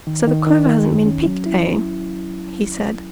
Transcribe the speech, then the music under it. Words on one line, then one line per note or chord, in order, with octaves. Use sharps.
"So the clover hasn't been picked, eh?" he said.
D#3
D#3
D#3
D#3
F#2
C#4
F#3
E4